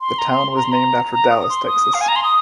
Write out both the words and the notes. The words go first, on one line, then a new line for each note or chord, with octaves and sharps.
The town was named after Dallas, Texas.
C6
A#5
C6
A#5
C6
A#5
A#5
D#6
C6
D#6
F5
G#5
A#5
C6
D#6